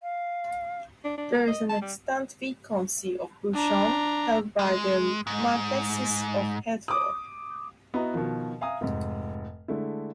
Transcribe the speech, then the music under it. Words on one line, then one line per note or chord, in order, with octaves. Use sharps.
There is an extant Viscountcy of Beauchamp, held by the Marquesses of Hertford.
F5
D4
D4
A#4
D#5
A5
G3
D4 A#5
G#3
G#2
D6 D#6
B3 E4 F#4 D#5 A#5
B2 D#3 F3
E5 F5 G#5 A#5 D#6
F1 G#2
D3 G#3 A3 E4